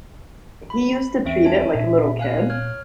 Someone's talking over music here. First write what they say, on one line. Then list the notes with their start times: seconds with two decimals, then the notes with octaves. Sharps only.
He used to treat it like a little kid.
0.70 B5
1.26 E2 C4 C#4 E5 D7
1.45 C#5 G#5 A5
1.75 A#2 E5
2.19 F5 G#5 F#6
2.50 C#5 F6 G#6